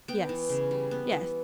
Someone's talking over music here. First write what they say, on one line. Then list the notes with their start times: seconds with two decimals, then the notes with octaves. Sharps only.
Yes, yes.
0.08 B3 G5
0.29 E3
0.50 C#3
0.71 G3
0.91 B3
1.12 E3